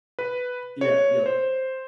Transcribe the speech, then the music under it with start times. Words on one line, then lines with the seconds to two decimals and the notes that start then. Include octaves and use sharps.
Yeah, yep.
0.19 B4
0.81 C#5
1.26 C5